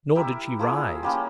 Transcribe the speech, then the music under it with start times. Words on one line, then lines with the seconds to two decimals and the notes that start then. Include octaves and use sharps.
Nor did she rise.
0.15 E4 G4 A#4 E5
0.59 F3 A#3 E4 G#4
1.03 G3 A#3 C#4